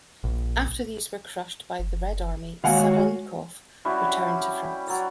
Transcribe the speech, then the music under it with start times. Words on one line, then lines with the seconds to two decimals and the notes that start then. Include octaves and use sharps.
After these were crushed by the Red Army, Savinkov returned to France.
0.24 A#1
1.79 F#1
2.64 D#3 G#3 F#4 C#5 F5 F#5 G#5
3.85 G3 C#4 E4 F#4
4.87 F#3 D5